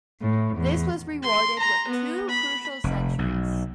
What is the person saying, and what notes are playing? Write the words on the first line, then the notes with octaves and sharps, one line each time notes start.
This was rewarded with two crucial centuries.
A2
E2
C6
A#5
B3
B5
F1
B1